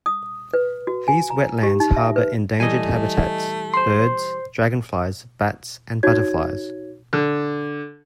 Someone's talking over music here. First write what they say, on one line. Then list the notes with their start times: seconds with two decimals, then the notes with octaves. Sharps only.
These wetlands harbour endangered habitats - birds, dragonflies, bats and butterflies.
0.06 D#6
0.54 B4
0.87 F#4
1.08 G#5
1.30 A#5
1.63 G4
1.80 D#4
1.96 E5
2.16 B4
2.60 E3 G3 A3 D#5 G#5
3.74 C5 C6 C7
6.03 D#4 F#4 C#5 G#6
7.13 D3